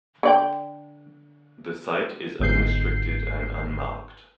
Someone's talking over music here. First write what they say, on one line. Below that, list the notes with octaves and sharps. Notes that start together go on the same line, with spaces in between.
The site is unrestricted and unmarked.
D3 D5 G5
G1 G#2 G6 C7